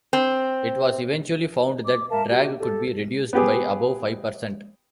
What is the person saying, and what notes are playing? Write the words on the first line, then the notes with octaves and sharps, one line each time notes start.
It was eventually found that drag could be reduced by about five percent.
C4
D6
A#4 E5 F5 A5
F#4 G4
G4 A4
B3 G4 G#4